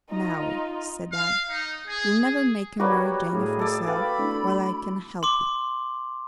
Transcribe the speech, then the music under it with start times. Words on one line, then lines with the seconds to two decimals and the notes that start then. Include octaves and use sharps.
'Now,' said I, 'you'll never make a Mary Jane of yourself while I can help it.
0.10 D#4 F4
1.12 F5
1.47 D#4
1.86 G#4
2.18 G#4
2.79 G3 A#3 F#4 G4 B4 C#5 D5
3.33 A2 G#4
3.59 A4 D5
3.87 B4 F5 G5 B5
4.18 A3 D4 E4
5.23 C6 D6